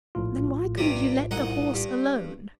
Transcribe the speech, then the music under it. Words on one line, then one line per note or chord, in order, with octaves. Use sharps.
"Then why couldn't you let the horse alone?"
A#1 A2 F4
G2 C3 G3
C2 D#4 F#5
G2